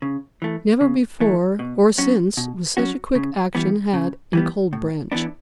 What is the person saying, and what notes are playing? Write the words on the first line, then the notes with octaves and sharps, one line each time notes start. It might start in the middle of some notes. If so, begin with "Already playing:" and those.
Never before or since was such quick action had in Cold Branch.
C#3
E3 A3
C#3
E3 A3
B2
F#3 C#4 F#4
B2
F#3 C#4 F#4
C#3
E3 G3 B3
C#3
E3 G3 B3
A2
E3 B3 D4